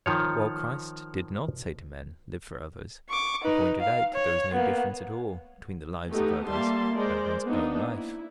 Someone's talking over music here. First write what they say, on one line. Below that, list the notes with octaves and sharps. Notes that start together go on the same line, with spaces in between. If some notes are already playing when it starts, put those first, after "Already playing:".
But while Christ did not say to men, 'Live for others,' he pointed out that there was no difference at all between the lives of others and one's own life.
D#3 F3 C#5
C#6 D6
D#4 B4
F5
C#5
A#3 B3
A3 B3 D#4 G4
G3 A#3 E5 A5 C6
G#3 A#4 C5 D5
A#3 B3 D4 D#4
E4